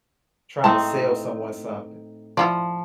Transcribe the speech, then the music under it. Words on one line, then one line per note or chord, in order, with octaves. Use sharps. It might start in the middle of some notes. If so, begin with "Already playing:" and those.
trying to sell someone something.
A2 C4 D#4 A5
F3 E4 F4 D5